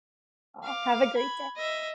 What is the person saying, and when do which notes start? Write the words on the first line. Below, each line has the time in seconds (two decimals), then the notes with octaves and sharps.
Aw, have a great day.
0.63 F5 D6
1.15 B5 G#6
1.56 D#5 E5